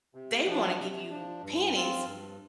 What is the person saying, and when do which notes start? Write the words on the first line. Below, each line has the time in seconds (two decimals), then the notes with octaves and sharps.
They wanna give you pennies
0.15 C3
0.46 F3 D4
0.79 C3
1.11 F3 D4
1.42 G2
1.74 F3 C4 F4
2.06 G2